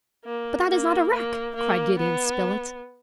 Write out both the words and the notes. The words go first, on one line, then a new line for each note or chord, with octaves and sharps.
"But that is not a wreck!" cried Gideon Spilett.
A#3
A#3
A#3
A#3
B3